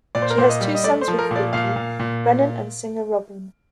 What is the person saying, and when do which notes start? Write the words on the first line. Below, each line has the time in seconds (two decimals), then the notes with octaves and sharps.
She has two sons with Thicke, Brennan and singer Robin.
0.15 A#2 D5
0.22 C5
0.30 A#4
0.38 A#2 C5
0.49 D#5
0.61 G3
0.75 D#5
0.84 A3 D5
1.01 C5
1.08 F3
1.19 A#4
1.31 A#2 D5
1.53 A#2 F5
1.76 A#2
2.00 A#2